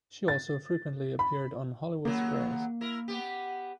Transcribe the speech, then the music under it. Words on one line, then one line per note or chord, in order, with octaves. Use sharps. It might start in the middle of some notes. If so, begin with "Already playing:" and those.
She also frequently appeared on "Hollywood Squares".
A6
B5
D#2 C#3 F#3 A#3
E4 A#4
B3 G4